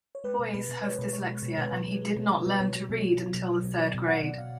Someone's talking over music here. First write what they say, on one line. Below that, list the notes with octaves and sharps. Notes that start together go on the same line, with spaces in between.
Boies has dyslexia and he did not learn to read until the third grade.
C#5
G#3 B4
B2
B2 B4
B2
G#3 C#5
B2 B4
G#3 C#5
G#3
B2 B4
B2 B4
B2
G#3
G#3
B2
G#3
B2
B2 C#5
F#3
B2
F#3
F#3
B2
F#3
B2
F#3 D5
B2
B2 F#5
B2
B2 F5